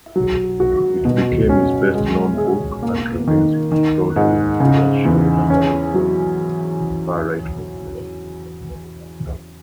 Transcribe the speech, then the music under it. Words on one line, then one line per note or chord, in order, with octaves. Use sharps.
It became his best known book, and remains broadly influential in American far-right movements.
F#3
F#4
B2
C#4
G#3
G#4
A#3
D#3
D#3
G#2
C#3
E2
C#4
F#3